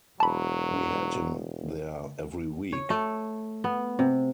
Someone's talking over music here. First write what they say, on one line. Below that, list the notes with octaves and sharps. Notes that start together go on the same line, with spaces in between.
We had him there every week.
E1 F#3 A5 B5
C#5
A3
B3
C3